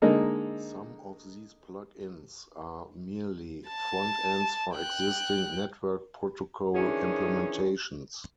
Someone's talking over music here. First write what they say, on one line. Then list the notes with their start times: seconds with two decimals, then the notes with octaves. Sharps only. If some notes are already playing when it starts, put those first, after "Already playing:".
Some of these plugins are merely front ends for existing network protocol implementations.
0.02 D3 G#3 A#3 D#4 A4
3.68 A5
4.74 G5 F#6
6.75 D#3 E3 C#4 D4 G#4